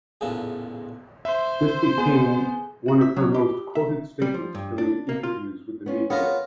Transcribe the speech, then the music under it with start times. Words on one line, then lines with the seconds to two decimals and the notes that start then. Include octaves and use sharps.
This became one of her most quoted statements during interviews with the media.
0.21 A1 E2 A#2 C#3 D4 A4
1.25 C5 E5
1.98 B3 G#4
2.88 F#4
3.01 E5
3.16 F#3
3.34 G4
3.75 E5
4.22 G3
4.34 F3
4.55 G2
4.78 D4
5.09 A#3
5.23 F4
5.86 B3 C#4 F4
6.10 B3 F4 G#4 A#4 B4 C#5